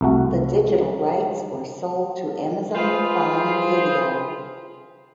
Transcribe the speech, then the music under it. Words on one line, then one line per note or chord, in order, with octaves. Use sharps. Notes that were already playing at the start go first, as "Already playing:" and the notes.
The digital rights were sold to Amazon Prime Video.
C2 A3 F#4
F4 G#4 B4 C5